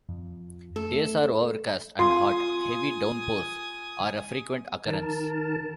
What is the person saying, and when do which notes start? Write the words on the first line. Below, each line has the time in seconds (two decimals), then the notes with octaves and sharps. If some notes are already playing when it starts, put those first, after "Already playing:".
Days are overcast and hot; heavy downpours are a frequent occurrence.
0.09 F2
0.76 A3 A4
1.99 F4 G#5 C6 D#6
4.86 D#3 A#4 A5